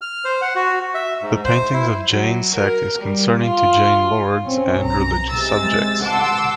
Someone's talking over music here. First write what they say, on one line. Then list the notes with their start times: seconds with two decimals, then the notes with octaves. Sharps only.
The paintings of Jain sect is concerning to Jain Lords and religious subjects.
0.01 F6
0.25 C5
0.41 F#5
0.55 F#4
0.94 E5
1.22 G#2
1.45 C5
1.73 E4
2.10 F#3
2.55 A#4
2.98 G3
3.41 F4
4.43 C4 C#4
4.82 B1 A#5
5.32 C3 G#3 E6 A6
6.03 F#5 A5 C6 D6 E6